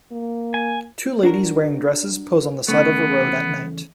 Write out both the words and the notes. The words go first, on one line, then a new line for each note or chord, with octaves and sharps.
Two ladies wearing dresses pose on the side of the road at night.
A#3
G#5
D4 F#4 A#4
E2 C#3 A3 B3